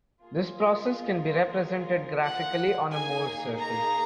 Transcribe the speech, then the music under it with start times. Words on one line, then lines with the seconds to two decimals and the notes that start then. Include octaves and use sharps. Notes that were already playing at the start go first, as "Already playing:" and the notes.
This process can be represented graphically on a Mohr's circle.
0.23 A#3 F4 G#4
2.24 F#5
2.91 A#3 D#4 G#4 G#5
3.59 A#5